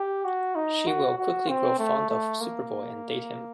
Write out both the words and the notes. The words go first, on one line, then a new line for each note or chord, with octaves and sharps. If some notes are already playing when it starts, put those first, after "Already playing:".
She will quickly grow fond of Superboy and date him.
Already playing: G4
F#4
D#4
F#4
F#4
C4
A3
A3
A#3